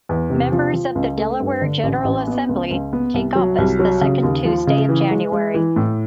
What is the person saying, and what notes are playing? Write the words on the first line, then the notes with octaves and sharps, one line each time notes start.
Members of the Delaware General Assembly take office the second Tuesday of January.
E2
C3
F3
F3
C#2
A3
G2
D3
A1
A1
B3
C#2
C#2
B3
C2
F#3
C2
F#3
C#3
D#2
F3
C#3
E3
G#3
G#3
E3
A2